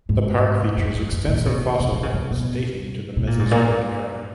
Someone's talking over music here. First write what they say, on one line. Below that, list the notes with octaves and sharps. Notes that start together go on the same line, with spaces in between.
The park features extensive fossil beds dating to the Mesozoic era.
G#2
F#2
G#2
F#2
A#2
C#3
B2
C#3
C#3
D#3
C#3
C#3
B2
B2
A#2
G#2
A#2